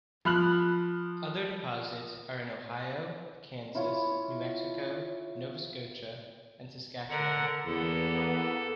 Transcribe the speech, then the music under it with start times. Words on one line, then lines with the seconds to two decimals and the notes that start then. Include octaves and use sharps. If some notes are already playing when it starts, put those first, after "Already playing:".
Other deposits are in Ohio, Kansas, New Mexico, Nova Scotia and Saskatchewan.
0.25 F3 B5 F6 F#6 F#7
3.75 E4 F4 C#5
7.09 D3 A#4 F#5
7.66 E2 A#3 B3 A4